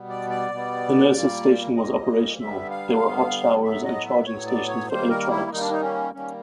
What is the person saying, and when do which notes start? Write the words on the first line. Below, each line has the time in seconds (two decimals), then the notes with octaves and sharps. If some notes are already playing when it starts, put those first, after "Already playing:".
The nurses' station was operational; there were hot showers and charging stations for electronics.
Already playing: B2 G3 B3
0.09 D5
0.30 D5
0.51 B2 G3 B3
1.13 A#2 G3 A#3
1.76 A#2 G3 A#3 D#5
2.39 D3 G3 B3 E5
2.70 F5
3.01 D3 G3 B3
3.64 A2 F#3 B3 E5
3.85 D#5
4.06 E5
4.26 A2 F#3 B3 C#5
4.46 D5
4.68 C#5
4.89 D#3 G3 A#3 C5
5.09 A#4
5.31 E4
5.51 D#3 G3 A#3 D#4
5.61 D4
5.71 D#4
5.82 C#4
6.14 D#3 G3 A#3 C#4